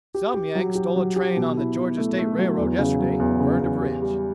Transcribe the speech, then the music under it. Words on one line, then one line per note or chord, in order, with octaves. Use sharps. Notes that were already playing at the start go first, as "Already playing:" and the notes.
"Some Yanks stole a train on the Georgia State Railroad yesterday and burned a bridge."
G4
G4
F#3
G4
F#3
G4
B2
E4
B2
A3
A3
F#3
E2
C#3
F#3
E2
C#3
E2
G4
G3